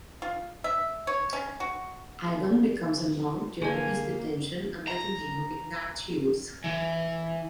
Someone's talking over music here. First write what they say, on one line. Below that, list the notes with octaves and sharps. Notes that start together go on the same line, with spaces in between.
Ivan becomes a monk during his detention, under the name of Ignatius.
F4
E5
C#5
C#4
F#4
D3 A#3 G#4 D5 G#5
A#5
E3